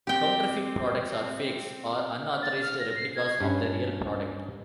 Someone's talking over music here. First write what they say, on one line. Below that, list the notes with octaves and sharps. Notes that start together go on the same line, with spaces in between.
Counterfeit products are fakes or unauthorised replicas of the real product.
C4 G4 G5
A6
F6
A#6
C7
G#6
G2 C#4